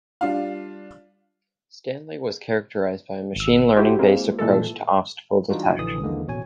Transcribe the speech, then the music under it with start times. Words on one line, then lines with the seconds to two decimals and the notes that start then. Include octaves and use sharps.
Stanley was characterized by a machine learning based approach to obstacle detection.
0.21 G3 D4 F4 F5
3.36 G#1 E6
3.77 E4 F#4 G4 C5
3.99 G#3 A#3 C4
4.39 A#2 E3 G#3 A4
5.50 E3 G3 D4 D#4 F4 F#4
5.79 A#1 D3 E3 D#6
6.02 D#2 D3 E3 G#3 A#3 D#4
6.27 A1 B2 C#5 G#5